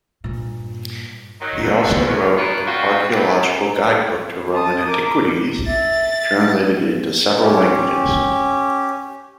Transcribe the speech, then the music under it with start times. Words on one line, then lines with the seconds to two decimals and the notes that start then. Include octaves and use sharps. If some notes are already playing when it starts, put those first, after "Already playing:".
He also wrote an archeological guide book to Roman antiquities, translated into several languages.
0.24 G2 A#2
1.41 D#3 F#3 D#4
1.63 F#2 B2 D3
2.06 E2 C#4
2.37 D4 D#4 F4 A#4 B4 C#5
2.66 G3 C4 D4 F4 F#4
3.11 E3 A3 C4 G4 B4
4.53 A5 D#6
4.87 A#4 D6
5.66 E5 A6
7.43 C#4 G4